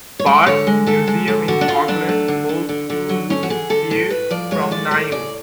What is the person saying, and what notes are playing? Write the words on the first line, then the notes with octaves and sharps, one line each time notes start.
Perth Museum in Scotland holds two wooden spears from Niue.
C#5
G#3 D5
D3 C#5
G#3
D3 A4
G#3
D3
D3 F#4
D4
D3 F4
F#3 D4
A3
D3
D3
D3
D3
F#3
A3 C#4
F#4
D3 G#4
D3 A4
A2 A4
A2 B4
F3 D5
G#3 C#5
A2 D5
A2 D5
C#3 D5